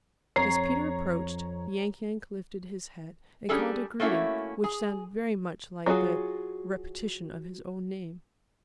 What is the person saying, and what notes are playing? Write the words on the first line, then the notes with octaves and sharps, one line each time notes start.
As Peter approached, Yank-Yank lifted his head and called a greeting which sounded very much like the repetition of his own name.
F2 C#5 A#5 C7
G3 C#4 D4 G#4 A4 G#5
A3 A#3 C#4 E4 F#4
G#4
F#3 F4 F#4 G#4